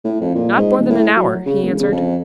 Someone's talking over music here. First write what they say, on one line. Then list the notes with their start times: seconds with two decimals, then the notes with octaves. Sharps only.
"Not more than an hour," he answered.
0.05 A2
0.21 F2
0.35 A#2
0.56 G#2
0.78 D#1
0.90 A2
1.16 F#3
1.46 C#3
1.63 E1
1.80 C#3
1.92 F2